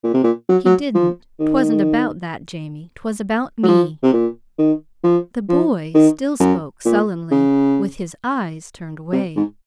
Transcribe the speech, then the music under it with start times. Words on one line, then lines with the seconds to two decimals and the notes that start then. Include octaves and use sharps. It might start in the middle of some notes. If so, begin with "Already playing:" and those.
"He didn't. 'Twasn't about that Jamie. 'Twas about me." The boy still spoke sullenly, with his eyes turned away.
0.04 A#2
0.14 C3
0.24 A#2
0.49 F#3
0.65 F#3
0.94 F3
1.40 D#3
3.63 F#3
3.68 F3
4.03 C3
4.13 A#2
4.58 D#3
5.04 F3
5.49 F3
5.94 D#3
6.40 F#2
6.85 A#2
7.31 C#3
9.13 C3
9.36 G#2